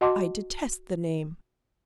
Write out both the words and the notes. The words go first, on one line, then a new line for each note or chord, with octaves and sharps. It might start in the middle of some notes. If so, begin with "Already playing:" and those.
I detest the name!
F#4 D#5 F#5 A5 C6 D6